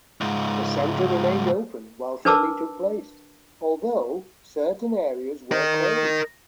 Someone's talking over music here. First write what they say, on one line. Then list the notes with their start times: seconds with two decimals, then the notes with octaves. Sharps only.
The center remained open while filming took place, although certain areas were closed.
0.21 C#2 G#2
2.25 D4 A#4 B4 A5 D6 E6
5.52 A#4 D#5